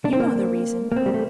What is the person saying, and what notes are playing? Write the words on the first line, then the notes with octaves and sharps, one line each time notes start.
You know the reason.
D4
C4
A#3
A#3
C4
G3
A3